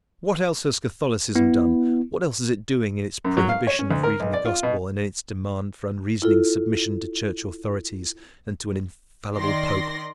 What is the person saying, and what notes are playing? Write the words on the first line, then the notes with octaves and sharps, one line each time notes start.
What else has Catholicism done, what else is it doing in its prohibition of reading the Gospel, and in its demand for unreasoning submission to Church authorities and to an infallible Pope?
B3 E4
F#2
F#3
F5
C#5
C#4
D2
A#4
B1
D5
F4
B2
E4 F4 A4
D#3 D5 C6 A#6